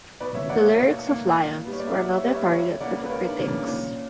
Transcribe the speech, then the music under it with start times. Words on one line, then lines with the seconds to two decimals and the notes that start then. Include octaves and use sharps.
The lyrics of "Lions" were another target for the critics.
0.20 B2 B4 D5
0.34 C#5 E5
0.49 A#3 D5 F#5
0.63 C#5 E5
0.78 B2
1.07 A#3
1.36 A#2
1.65 G3 B3
1.73 C#5
1.80 D5
1.87 E5
1.94 A#2 D5 F#5
2.13 C#5 E5
2.23 G3 B3
2.32 C#5 E5
2.51 C#2 C#5 E5
2.80 C#3 E3 A#3 D5 F#5
3.05 B4
3.09 C#2 A#4 C#5
3.22 C#4
3.29 D4
3.38 C#3 E3 A#3 C#4
3.48 D4
3.67 A#2 C#4